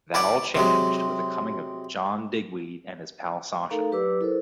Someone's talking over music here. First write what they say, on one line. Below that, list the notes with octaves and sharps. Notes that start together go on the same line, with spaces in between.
That all changed with the coming of John Digweed and his pal Sasha.
E4 C#5 D5
C3 F#3 G#3
A3 D#4 A4 A#4 F5 A#5
F#3 G4 B4 D5 D6 E6
E4 A4 A#4 C5